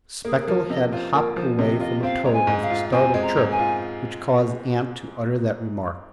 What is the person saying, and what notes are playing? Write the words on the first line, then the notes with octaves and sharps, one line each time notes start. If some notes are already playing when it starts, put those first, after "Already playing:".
Speckle had hopped away from a toad with a startled chirp, which caused aunt to utter that remark.
A#3 G#4
G#4
F3 A#4
C3 D#5
F4 C5
A#3 A#4
F3 C5
C3 D#5
F4 D#5
C4 F5
G#3 A#5
G#5
G#2
F5
F4
C4 G#5
G#3
A#5
G#2
G#5
F4